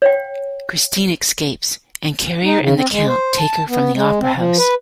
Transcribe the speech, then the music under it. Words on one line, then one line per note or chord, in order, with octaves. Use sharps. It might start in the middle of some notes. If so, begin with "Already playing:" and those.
Christine escapes, and Carriere and the Count take her from the Opera House.
C#5 F5 G5
D#4
C#3
C4
G#3
C5
A5
B3
G#3
C4
F3
B4